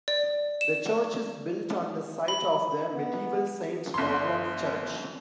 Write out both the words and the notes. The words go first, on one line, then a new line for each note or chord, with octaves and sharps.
The church is built on the site of the medieval Saint Lavrans Church.
D5
E7
B5
B3
G1 C6